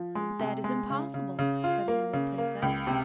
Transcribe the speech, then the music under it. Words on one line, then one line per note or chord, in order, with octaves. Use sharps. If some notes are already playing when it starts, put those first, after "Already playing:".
"But that is impossible," said another Princess.
Already playing: F3
G#3
C3
G#3
C#3
C#3
C#3
F4
A#3
C#3
A#3
C#2
C3